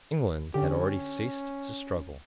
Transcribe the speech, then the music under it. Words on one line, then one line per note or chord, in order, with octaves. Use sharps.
England had already ceased to struggle.
D3 C#4 G4